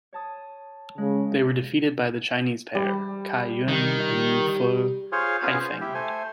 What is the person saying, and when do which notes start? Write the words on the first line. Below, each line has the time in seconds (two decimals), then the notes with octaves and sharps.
They were defeated by the Chinese pair, Cai Yun and Fu Haifeng.
0.13 C#5 A5 D#6
0.98 C#3 G#3
2.75 G3
3.68 D#3
5.12 F4 G#4 C5 C#5 F5
5.42 B3 C#4 F4 G#4
5.60 C5
5.81 E4 G4
5.94 A3 C5 G#5